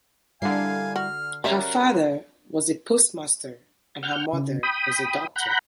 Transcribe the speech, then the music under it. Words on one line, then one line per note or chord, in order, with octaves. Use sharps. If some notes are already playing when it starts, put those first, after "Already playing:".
Her father was a postmaster and her mother was a doctor.
D3 G3 E4 A#4 F5 G#5 C7
F#4 F6
G3 C#4 F#4 A#4 C#5 E5
F#5 F6 G6
C#3
G5 B5 D#6
F#5 A#5 B5 F#6 G6